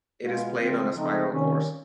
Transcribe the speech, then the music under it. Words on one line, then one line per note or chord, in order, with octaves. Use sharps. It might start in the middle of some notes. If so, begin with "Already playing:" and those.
It is played on a spiral course.
B2 G#3 B3 F4
C#3 F3 A3 C4
C#3 F3 A3 C4 D#4
C3 D#3 G3 A#3 C#4